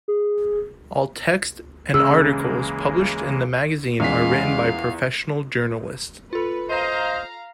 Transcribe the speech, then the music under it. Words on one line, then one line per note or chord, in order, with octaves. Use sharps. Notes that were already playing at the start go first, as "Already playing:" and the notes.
All texts and articles published in the magazine are written by professional journalists.
G#4
C#3 E3 G#3 A#3 G#4 E6
E2 G#3 C#4 F5 B6
F4 A4 B4
C5 D#5 F5 A#5